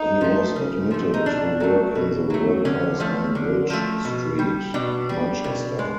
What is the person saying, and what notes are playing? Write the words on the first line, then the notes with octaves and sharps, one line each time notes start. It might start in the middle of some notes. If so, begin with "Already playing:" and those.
He was admitted to work in the Workhouse on Bridge Street, Manchester.
Already playing: D#4
F3 A3
C#3
F3 A3
D#4
B2 D4
F#3 A3
B2
F#3 A3
D3 C#4
F3 A3
D3
F3 A3
B2
G3
B2 D4
G3
B2
G#3